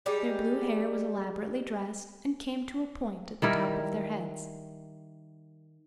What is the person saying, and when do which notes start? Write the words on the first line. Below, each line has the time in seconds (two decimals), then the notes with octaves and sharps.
Their blue hair was elaborately dressed and came to a point at the top of their heads.
0.06 G3 G#3 D#4 G4
3.42 D#3 G3 E4 A#4